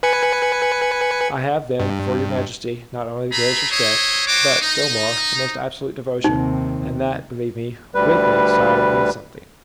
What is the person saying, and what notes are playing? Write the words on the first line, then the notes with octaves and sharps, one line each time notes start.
I have, then, for your majesty, not only the greatest respect, but, still more, the most absolute devotion; and that, believe me, with me, sire, means something.
B4 G#5 C#7
G2
A3 G#4 A#5 B5
E4 C5 C#5 D#5
F#4 C5 C#5 D6
D#4
D#2 C3 D#4
D2 G3 B4